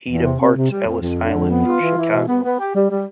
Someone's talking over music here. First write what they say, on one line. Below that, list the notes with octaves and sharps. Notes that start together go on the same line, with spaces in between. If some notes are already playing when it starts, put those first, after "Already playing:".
He departs Ellis Island for Chicago.
E2
C3
C3
C3
G3
F2
F2
D3
F2
B3
F4
E3
E3
B2
B3
B3
G4
G3
G3